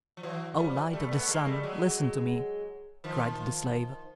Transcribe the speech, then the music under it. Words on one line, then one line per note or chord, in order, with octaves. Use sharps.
"O light of the sun, listen to me!" cried the slave.
F3
E3 F#3
F3 G3
G3 A3
A3 B3
G#3 A#3
G3 A3
F#3 G#3
D#3 F3